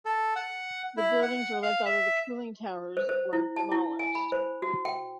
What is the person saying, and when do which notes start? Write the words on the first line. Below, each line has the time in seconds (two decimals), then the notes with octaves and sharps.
The buildings were left although the cooling towers were demolished.
0.05 A4
0.36 F#5
0.97 E4
1.22 F#5
1.63 F5
1.85 E5
2.97 C5
3.09 C5
3.33 E4
3.56 A5
3.72 E4
3.99 G#5
4.15 B5
4.32 C5
4.62 F#4
4.85 G5